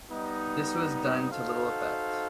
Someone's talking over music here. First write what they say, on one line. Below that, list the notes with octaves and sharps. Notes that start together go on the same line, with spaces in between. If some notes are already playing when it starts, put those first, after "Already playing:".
This was done to little effect.
G3 B3 D#4
D#4 F#4 A4 C5 F5